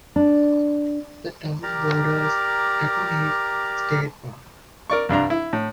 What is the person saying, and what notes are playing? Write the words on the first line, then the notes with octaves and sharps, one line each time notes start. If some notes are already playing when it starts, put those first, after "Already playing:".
The town borders Taconic State Park.
D4
G4 A#4 D5 A#5
A#4 D5 C#6
C2 G2 D4 A#5
E4
A2